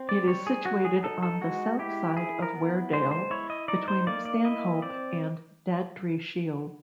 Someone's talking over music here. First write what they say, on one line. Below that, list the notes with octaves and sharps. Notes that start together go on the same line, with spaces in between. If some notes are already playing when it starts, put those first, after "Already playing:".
It is situated on the south side of Weardale, between Stanhope and Daddry Shield.
Already playing: C4
D5
G3 C#5
G#4
F#3 F#4
G#4
D#4 A4
A4
G#3 F#4
E4 G4
E4 G#4
A#4
B3
G#3 C5
C5
E4 C#5
D#5
D#4 D5
C5
A#3 D5
D5
E4 D#5
C4 D5